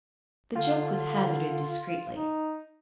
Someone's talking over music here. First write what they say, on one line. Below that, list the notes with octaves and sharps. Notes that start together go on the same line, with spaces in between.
The joke was hazarded discreetly.
D3 F4
D#4